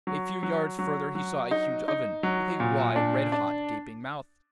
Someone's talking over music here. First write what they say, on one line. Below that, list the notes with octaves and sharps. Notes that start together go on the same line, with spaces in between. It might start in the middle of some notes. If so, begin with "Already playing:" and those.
A few yards further he saw a huge oven, with a wide, red-hot gaping mouth.
F#3
F#3
F#3
F#3
D#4
D#4
F#3
A#2
D4
D4